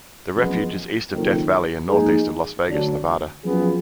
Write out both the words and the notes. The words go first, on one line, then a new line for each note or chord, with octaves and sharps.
The refuge is east of Death Valley and northeast of Las Vegas, Nevada.
F#2 F3 G#3 B3
F#1 F2 D#3
G#2 F3 A#3 D#4 G#4
D2 D3 F#3 D4 F#4
F#2 F3 B3 F4 G#4